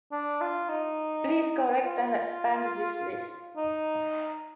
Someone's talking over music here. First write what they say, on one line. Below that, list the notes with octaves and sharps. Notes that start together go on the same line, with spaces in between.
Please correct and expand this list.
D4
F4
D#4
F4
D#4